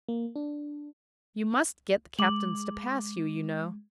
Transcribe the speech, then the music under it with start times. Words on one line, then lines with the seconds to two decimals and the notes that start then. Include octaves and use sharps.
You must get the captains to pass you, you know.
0.09 A#3
0.36 D4
2.19 G#3 D6 F#7